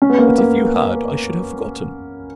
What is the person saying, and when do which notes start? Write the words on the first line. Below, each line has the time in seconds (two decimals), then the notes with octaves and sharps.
But if you had I should have forgotten.
0.02 C#4
0.10 B3
0.19 A#3
0.27 B3
0.38 A#3